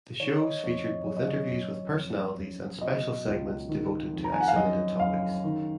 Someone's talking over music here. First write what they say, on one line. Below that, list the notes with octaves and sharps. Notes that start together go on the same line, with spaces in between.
The shows featured both interviews with personalities and special segments devoted to isolated topics.
D#3 C#5
D#5
F2 C#5
D#5
F#2 C#5
D#5
C#5
F#1
F2
F#1
B2 D#5
C#2
D#3
F2
A#5
G#5
F#5
F5
F#2 D#5
F#1 F5
D#3